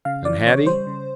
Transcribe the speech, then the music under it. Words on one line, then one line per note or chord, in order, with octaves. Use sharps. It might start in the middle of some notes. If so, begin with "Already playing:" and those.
And Hattie?
C#3 F5
E3 D5
C#3 C#5
G3 C5
C#3